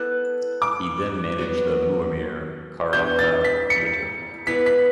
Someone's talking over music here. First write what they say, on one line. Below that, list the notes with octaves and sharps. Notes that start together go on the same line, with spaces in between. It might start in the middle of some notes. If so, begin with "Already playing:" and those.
He then managed the Muammer Karaca theatre.
Already playing: B3 E4 A4 F#6
D6
F#3 B3 F#4
G3 B3 D4 G6
A6
B6
C#7
B3 E4 B4 D5 B6
B6